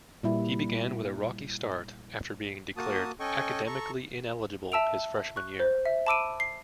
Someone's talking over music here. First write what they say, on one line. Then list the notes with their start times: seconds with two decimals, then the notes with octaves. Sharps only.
He began with a rocky start after being declared academically ineligible his freshman year.
0.23 A#2 G3 E4
2.77 A#3 F#4 A5 D#6
3.20 C#4 A4 D#5 G5 G#5 C#6
3.67 A4 A#5 C#6
4.72 E5 A5 E6 D7 F7
5.36 C#6 F#6
5.60 C5
5.86 E5
6.07 A5 B5 D6 E6 D7 D#7
6.40 C7